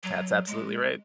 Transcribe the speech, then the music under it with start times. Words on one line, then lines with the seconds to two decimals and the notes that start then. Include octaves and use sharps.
That's absolutely right.
0.04 F#3
0.47 G#3